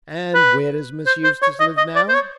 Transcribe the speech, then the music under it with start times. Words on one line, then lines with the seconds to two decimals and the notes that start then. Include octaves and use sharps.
"And where does Miss Eustace live now?"
0.34 B4
1.06 C5
1.24 C5
1.42 C#5
1.60 D#5
1.77 D#5
1.96 D5
2.09 C5
2.14 C#5